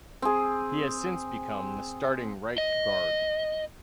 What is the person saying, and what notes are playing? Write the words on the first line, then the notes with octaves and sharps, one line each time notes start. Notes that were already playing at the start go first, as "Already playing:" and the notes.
He has since become the starting right guard.
C4 G#4
D#5